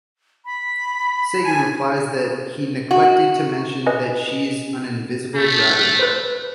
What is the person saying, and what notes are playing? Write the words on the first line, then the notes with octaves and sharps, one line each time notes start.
Sagan replies that he "neglected to mention that she's an invisible dragon".
B5
G#5 A5
F#4
B4 D#5 G#5
A3
B4 C5